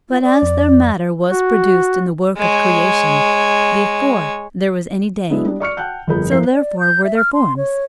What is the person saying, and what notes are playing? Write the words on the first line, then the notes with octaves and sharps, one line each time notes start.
But as their matter was produced in the work of creation, before there was any day, so therefore were their forms.
F4
D5
F2
F#4
G#3 C#5
F#3 G#3 B3 D4 E4
G3 D4
D5 C#6 F6 C#7
F#5 G5 A5 F#6 G6
G1 F2 G#4 A#4 B5 G6
F2 F3 E4 A#4 C5 C7
D5
G6
E5
F6
C6
C#5